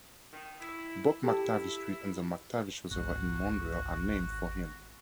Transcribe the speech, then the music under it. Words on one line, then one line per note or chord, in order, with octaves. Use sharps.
Both McTavish Street and the McTavish Reservoir in Montreal are named for him.
D#3
E4
E4 G4 A4
G#1 C#2 F#4